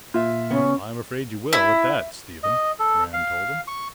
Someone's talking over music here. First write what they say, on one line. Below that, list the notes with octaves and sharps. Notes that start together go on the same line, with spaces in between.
"I'm afraid you will, at that, Stephen," Rand told him.
A#2 F4 E5
C#3 B3 C#4
E4
D#5
A4
F5
C#6